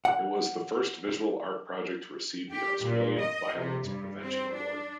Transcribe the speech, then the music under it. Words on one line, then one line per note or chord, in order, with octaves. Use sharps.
It was the first visual art project to receive the Australian Violence Prevention Award.
F#5
G4
A#2
D#5
C3
G2
C4
D4